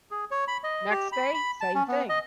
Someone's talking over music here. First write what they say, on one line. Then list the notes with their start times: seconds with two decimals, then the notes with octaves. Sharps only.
Next day, same thing.
0.11 G#4
0.31 C#5
0.48 B5
0.64 D#5
0.90 G4
1.12 B5
1.34 B5
1.61 A5
1.75 C#4
1.88 B3
2.09 D#5